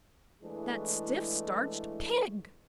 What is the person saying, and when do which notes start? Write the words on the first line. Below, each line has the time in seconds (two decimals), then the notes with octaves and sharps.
'That stiff-starched PIG!'
0.43 E3 G#3 A3 D4 E4